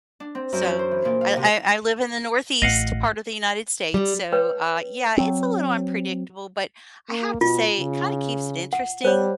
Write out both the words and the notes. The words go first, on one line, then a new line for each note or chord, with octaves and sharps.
So I I I live in the northeast part of the United States, so, uh, yeah, it's a little unpredictable, but I have to say it kinda keeps it interesting.
D4
C4
F#2
C#4
C5
E3
A#2
F5
C3
A1 D#5 F5 F#5
G3
B4 C#5 G5
F#3 C4
A#3
B2 F4
C#3
F#5
G3 C5 C#5